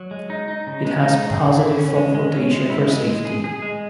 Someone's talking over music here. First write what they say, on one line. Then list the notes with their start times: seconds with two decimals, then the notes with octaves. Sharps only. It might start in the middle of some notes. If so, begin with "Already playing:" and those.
It has positive foam flotation for safety.
Already playing: F#3
0.11 G#3
0.30 D#4
0.48 D#4
0.67 C#3
0.85 G#3
1.03 D#4
1.22 C#3
1.41 C#3
1.59 E4
1.78 C#4
1.96 G#3
2.15 G#3
2.33 C#4
2.51 G#3
2.70 E4
2.88 G#3
3.07 G#3
3.25 G#4
3.44 G#4
3.62 G#3